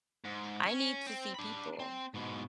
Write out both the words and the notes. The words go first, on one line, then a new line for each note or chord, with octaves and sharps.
I need to see people.
G#2
C#4
C4
D4 B5
C4
G#2 B2